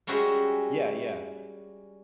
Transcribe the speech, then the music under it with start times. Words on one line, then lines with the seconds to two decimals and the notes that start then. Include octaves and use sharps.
Yeah, yeah.
0.07 G3 G#3 C#4 F#4 C5 E5